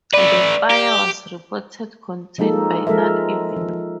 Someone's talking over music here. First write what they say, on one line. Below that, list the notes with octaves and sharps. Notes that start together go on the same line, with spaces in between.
The fire was reported contained by that evening.
A3 B4 D5
G4
F3 G#3 A#3 D#4 A4
F3 G#3 A4 A#4 E5
F3